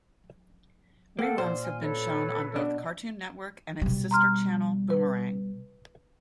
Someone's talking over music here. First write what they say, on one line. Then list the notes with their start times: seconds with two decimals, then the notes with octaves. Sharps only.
Reruns have been shown on both Cartoon Network and its sister channel Boomerang.
1.19 A#3 A4 F#5 G5
1.38 A#2 C5 C6 F6
1.63 G#5 F6
1.80 A4 B4 C#5
2.56 B2 D4
3.82 B2 G3
4.11 A#5 C6 F6
4.90 B4